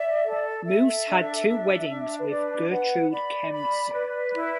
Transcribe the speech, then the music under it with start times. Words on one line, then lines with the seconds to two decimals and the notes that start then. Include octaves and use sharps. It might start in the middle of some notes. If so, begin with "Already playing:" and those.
Muuss had two weddings with Gertrude Kremser.
Already playing: D5 E5
0.25 A4
0.65 A4 E5
1.07 D4
1.48 D4
1.89 D4
2.19 B4
2.29 B4 D5
2.70 B4 F#5
3.10 D5 B5
3.52 B5
3.93 B4
4.33 E4